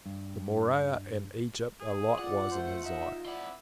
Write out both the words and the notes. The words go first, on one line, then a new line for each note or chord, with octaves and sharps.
The Morea, and Egypt, are likewise in his eye.
G2
G#4
F4 D5 F#5
A3 C5
D#4 E5
C4 E4 D5 F#5